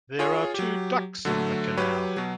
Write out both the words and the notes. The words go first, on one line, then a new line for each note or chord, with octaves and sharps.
There are two ducks in the canal.
F4 G#4 C#5
F#3 G4
D3 F#3 A3
F#3 G4 B4 C#5
B2 F#3